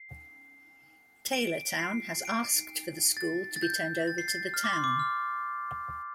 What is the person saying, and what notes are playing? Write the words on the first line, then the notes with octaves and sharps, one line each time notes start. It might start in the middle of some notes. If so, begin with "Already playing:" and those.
Taylortown has asked for the school to be turned over to the town.
Already playing: C7
D7
C7
D7
A6
A6
G6
A6
C7
A6
F6
D6
C6
D6
F6